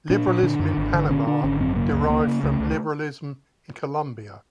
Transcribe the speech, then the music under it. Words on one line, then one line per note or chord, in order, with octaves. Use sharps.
Liberalism in Panama derived from liberalism in Colombia.
A#2 D4
A#2
D3 D4
F#2
G#1
D3
D3 C#4
D3 D4
G#1 C#4
F#2 C4
C#3 A#3
C#2
C#3 A#3
C#3
C#2 A3
C#2